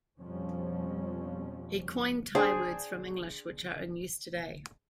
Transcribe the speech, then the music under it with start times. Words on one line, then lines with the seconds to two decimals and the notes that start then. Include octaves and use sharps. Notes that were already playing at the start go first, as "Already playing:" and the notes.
He coined Thai words from English which are in use today.
0.20 F2 B2 F3 G3 C#4
2.35 D4 G#4 C5 G5